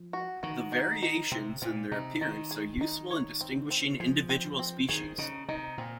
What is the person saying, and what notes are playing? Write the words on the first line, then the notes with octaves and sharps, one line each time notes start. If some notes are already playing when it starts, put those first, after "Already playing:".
The variations in their appearance are useful in distinguishing individual species.
Already playing: F3
F#4
D#3 F#4
D#4
D#4
C3 C4
A#2 C4
C3 D#4
D#3 D#4
G#4
D#4
C#5
C4
C4
F3 G#4
C4
C4
D#3 G#4
C#3 D#4
C3 D#4
A#2 C4